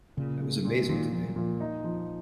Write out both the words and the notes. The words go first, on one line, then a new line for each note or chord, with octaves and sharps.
That was amazing to me.
A#2 C#3
G#3
A#2
A#2 D#3
A#2 F3
F#3
A#2 F3
D#4
F3